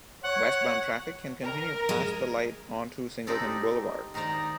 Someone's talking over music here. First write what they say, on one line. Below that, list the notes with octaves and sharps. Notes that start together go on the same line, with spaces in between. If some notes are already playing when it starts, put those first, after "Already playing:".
Westbound traffic can continue past the light onto Singleton Boulevard.
C#5 F#5
A#4
G#3
G#3 C4 D#4 G4 A4 D5
D#3 D#4 C5 D5 A#5